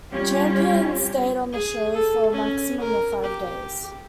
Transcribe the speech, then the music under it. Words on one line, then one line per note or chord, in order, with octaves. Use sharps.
Champions stayed on the show for a maximum of five days.
G3 C#4 F4 G4
G#4
A4
C#4
A#4
G4